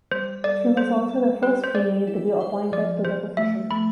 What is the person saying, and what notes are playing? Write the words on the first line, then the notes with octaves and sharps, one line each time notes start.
She was also the first female to be appointed to the position.
G3 C5
A4 D5
A4 C5
A4
G4 B4
C5
G4 D5
E4
C5
F3 D5
F3 C5
A3 E5
A3 B5